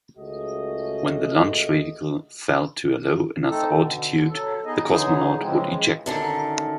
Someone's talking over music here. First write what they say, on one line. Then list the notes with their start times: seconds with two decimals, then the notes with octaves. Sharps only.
When the launch vehicle fell to a low enough altitude, the cosmonaut would eject.
0.17 C#2 A3 F#4 G#4 D#5
3.48 A3 C4 D#4 A4
3.73 B2 D3
4.29 F#3 A4
4.65 B3 D#4 G#4 D#5
4.88 D3 E3 F#3 D#4 G#4
5.40 C#3 E3 F3 G#3 C4
6.06 F#2 D3 D#3